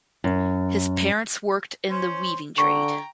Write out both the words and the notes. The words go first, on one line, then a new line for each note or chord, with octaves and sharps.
His parents worked in the weaving trade.
F#2
C#4 C5
D3 G5 A#5 C#6